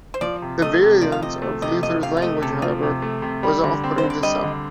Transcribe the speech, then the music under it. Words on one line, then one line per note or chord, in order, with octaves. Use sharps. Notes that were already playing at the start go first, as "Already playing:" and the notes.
The virulence of Luther's language however, was off-putting to some.
C5
F3 D5
C3
A3 D#5
C3
F3 D5
F5
C3 D#5
A3
C3 D#5
F3 D#5
C3 F5
F5
A3 D#5
C3 A4
F3 F4
C3
A3
C3
G3
D3
C4
C5
D3
D5
G3 D#5
D3